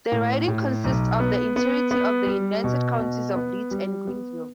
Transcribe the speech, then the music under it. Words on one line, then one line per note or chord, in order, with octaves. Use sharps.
The riding consists of the entirety of the United Counties of Leeds and Grenville.
A2
A2
B1
B3
B3
B3
G3
B2
B2
B3
G3
B3